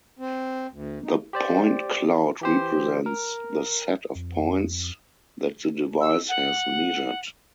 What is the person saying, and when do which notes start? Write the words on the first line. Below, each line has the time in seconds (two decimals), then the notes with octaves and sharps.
The point cloud represents the set of points that the device has measured.
0.19 C4
0.71 D2
1.05 D#4
1.33 G4 C5 D5
2.41 E3 G4 C5
3.06 A#4
4.15 F2
6.01 E6
6.29 F#5